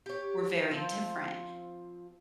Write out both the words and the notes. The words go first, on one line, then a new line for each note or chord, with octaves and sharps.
we're very different.
G4 C#5
F3 C4 F4